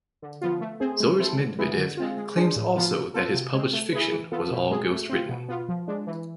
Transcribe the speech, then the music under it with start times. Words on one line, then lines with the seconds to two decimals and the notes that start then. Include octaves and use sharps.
Zhores Medvedev claims also that his published fiction was all ghost written.
0.22 D3
0.41 F3 B3 F4
0.61 A3
0.80 C4 G#4 C5
1.00 G#3
1.19 C4 E4 A4 C5
1.39 D3
1.59 G#3 B3 E4 G#4
1.78 D3
1.97 G#3 C4 F4
2.17 G#3
2.36 D4 G#4 C5
2.56 A2
2.76 F3 B3 F4
2.95 B2
3.14 B3 F4 A4
3.34 C3
3.53 G#3
3.58 C4
3.73 A3
3.93 E4 G#4 B4
4.12 E3
4.32 B3 F4 A4
4.51 B2
4.70 G#3 C4 G#4
4.90 A3
5.10 C4 F4
5.29 B2
5.49 B3 F4
5.69 F3
5.88 G#3 D4
6.07 E3